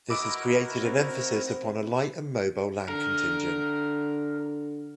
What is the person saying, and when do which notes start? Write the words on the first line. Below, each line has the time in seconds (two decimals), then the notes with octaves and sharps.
This has created an emphasis upon a light and mobile land contingent.
0.10 E4 F#4 A#4 B4 D#5 D6 E6 D7
0.81 C4
2.89 D3 A#4